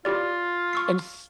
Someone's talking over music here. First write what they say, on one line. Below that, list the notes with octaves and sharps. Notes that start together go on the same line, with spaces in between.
And s
E4 F4 G4 D5
C#6 E6 C7